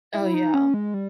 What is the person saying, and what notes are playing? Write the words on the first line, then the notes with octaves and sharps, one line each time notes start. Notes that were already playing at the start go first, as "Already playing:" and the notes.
Oh, yeah.
E4
D#4
C#4
G#3
G3